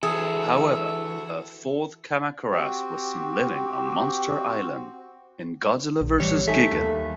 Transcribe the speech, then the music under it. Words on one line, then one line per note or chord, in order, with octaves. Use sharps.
However, a fourth Kamacuras was seen living on Monster Island in "Godzilla versus Gigan".
E3 F#4 G#4 A4 E5
C4 F#4 G4
A#1
A2 E3 G3 C#5
A3 D#4 A4 E5 G#5
D#2